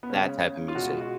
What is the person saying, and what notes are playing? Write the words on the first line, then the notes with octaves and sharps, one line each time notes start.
that type of music.
B3
C#3 G#3 C#4
F4
B2 G#3 F#4
F#4